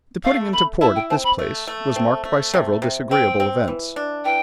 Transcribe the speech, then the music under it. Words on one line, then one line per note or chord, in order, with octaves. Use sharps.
The putting into port at this place was marked by several disagreeable events.
A3 F5
A3 B5
E4 A5
G5
C4 A5
B5
A3
A3
C4
A3
C3
C3
C4 G5
C4
E3
D4
E3 G5